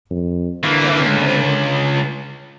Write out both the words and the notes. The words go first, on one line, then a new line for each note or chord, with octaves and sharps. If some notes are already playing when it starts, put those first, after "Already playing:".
He has a nerve.
F2
D3 E3 A#3
C#2